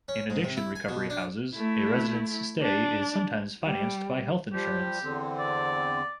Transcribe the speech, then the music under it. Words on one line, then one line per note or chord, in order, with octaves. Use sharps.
In addiction-recovery houses, a resident's stay is sometimes financed by health insurance.
C#4
G#2
C3
E4
G#5
B2
D4
A3 E4
D4
G3
F3 G3 G4
E2 D3 C4
D5